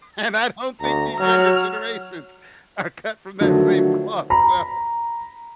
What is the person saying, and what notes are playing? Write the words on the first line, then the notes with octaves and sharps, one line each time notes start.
and I don't think these younger generations are cut from that same cloth, so,
D2 A#5
F#3 F6
D3 D#3 F3 F#3 A3
A#5 B5